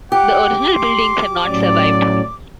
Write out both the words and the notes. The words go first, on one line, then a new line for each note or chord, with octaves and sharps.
The original buildings have not survived.
G4 F#5 D6
C6
A2 F#3 C#4 D5